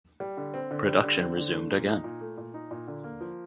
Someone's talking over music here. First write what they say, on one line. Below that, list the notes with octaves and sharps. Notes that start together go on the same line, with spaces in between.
Production resumed again.
G3
D3
C4
D3
G3
D3
C4
D3
A3
A#2
D#4
A#2
A3
A#2
D#4
A#2
D3
A#3
F3